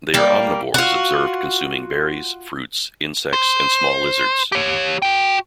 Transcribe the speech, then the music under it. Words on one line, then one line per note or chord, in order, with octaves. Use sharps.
They are omnivores observed consuming berries, fruits, insects and small lizards.
G3 A#3
F4 F#4
C5
G4 C#5
F#4 G5